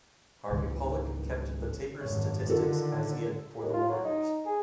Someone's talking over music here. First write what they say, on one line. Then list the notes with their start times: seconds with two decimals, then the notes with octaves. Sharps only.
Harvey Pollack kept the Tapers' statistics as he had for the Warriors.
0.50 G#1 C#2 C#3 E3
2.01 G#1 F#2 C#5
2.48 D3 D#3 F4 A4 A#4
3.61 D#2
3.73 F4
3.89 F#3
4.05 D#4
4.45 G#4